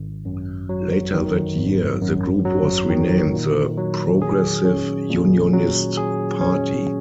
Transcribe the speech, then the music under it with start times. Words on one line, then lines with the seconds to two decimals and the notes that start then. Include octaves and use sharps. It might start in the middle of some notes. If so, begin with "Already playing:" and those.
Later that year, the group was renamed the "Progressive Unionist Party".
Already playing: G#1
0.25 F#2
0.69 F#3
1.13 D#3
1.58 G#1
2.01 F#2
2.45 F#3
2.90 D#3
3.34 A#2
3.77 F#3
4.22 G#4
4.65 C#4
5.10 A#2
5.53 F#3
5.97 G#4
6.41 C#4